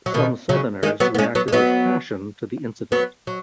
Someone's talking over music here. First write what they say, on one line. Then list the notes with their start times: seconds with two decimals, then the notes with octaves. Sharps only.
Some Southerners reacted with passion to the incident.
0.06 F#3
0.14 B2 D#3
0.49 C#3 F#3
0.83 D#3 G#3
1.00 F#3 B3
1.14 B3
1.18 G#3 C#4
1.35 F#3 B3
1.48 G#3
1.53 F#3 B3
2.92 F#3 B3
3.27 F#3